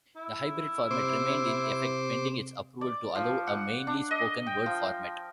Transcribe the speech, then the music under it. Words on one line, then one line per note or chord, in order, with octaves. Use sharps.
The hybrid format remained in effect pending its approval to allow a mainly-spoken-word format.
E4
C3 C5 D6
D5
F3
F#5
D4
D#5
G5
F3